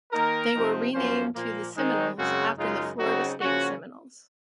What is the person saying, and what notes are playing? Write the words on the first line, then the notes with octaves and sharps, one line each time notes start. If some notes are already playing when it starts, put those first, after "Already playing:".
They were renamed to the Seminoles after the Florida State Seminoles.
D#3 A#3 D#4 A#4
C3 F3 C4 D#4
F#2 F3 A#3 C#4 C5
A#2 F3 A#3
D#3 G#3 C4 D#4
F#2 C#3 G#3 C4 F#4
F#2 C#3 G#3 D#4 F4
C#3 F#3 C4 D#4 F#4
C#3 F3 A#3 C#4 F#4